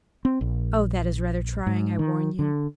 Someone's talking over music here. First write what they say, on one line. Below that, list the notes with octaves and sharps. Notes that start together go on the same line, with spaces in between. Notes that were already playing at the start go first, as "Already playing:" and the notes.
"Oh! that is rather trying, I warn you."
C4
A#1
G#2
D#3
D3